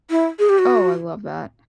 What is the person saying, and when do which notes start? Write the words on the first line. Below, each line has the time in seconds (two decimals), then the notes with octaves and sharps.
Oh, I love that.
0.10 E4
0.39 G#4
0.49 G4
0.59 F#4